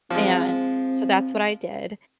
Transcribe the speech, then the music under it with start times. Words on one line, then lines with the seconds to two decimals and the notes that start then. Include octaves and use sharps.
and so that's what I did.
0.10 F3 G#3 C4